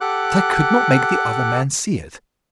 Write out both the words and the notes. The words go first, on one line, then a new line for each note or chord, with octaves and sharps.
But I could not make the other man see it.
G4 A4 F#5 D6 F#6